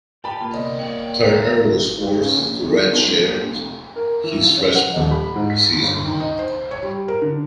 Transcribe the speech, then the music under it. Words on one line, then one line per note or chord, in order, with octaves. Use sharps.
Turner was forced to redshirt his freshman season.
A2 G4 B4 G5 A5 B5
A#2 F4
C3 B3 D5 D#5
C#5 D5 F5 G5
A3 A#4
G#2
C#3
A#1
A#1
B1
B1
C#2
A#1
A#2
F1
A#4
E3
E3
C#4
F#5
D#1
B5
G#2
B6
G1
D#3
D#4
C5
C#5
G3
A#4
D3